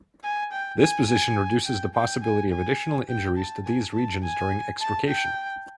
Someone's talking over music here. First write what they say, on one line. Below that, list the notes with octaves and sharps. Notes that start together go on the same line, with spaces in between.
This position reduces the possibility of additional injuries to these regions during extrication.
G#5
G5
G#5
G#5
G5
G5
G#5
G#5
G5
A5
G#5
A5
G#5
A5
G5